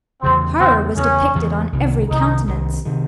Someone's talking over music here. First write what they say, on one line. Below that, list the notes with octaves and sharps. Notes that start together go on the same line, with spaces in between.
Horror was depicted on every countenance.
E2 C#3 E3 C4
E2 C#3 E3 C4
E2 C#3 E3 C#4
E2 C#3 E3
C2 C3 D#3
C2 C3 D#3 D#4
C2 C3 D#3
C3 D#3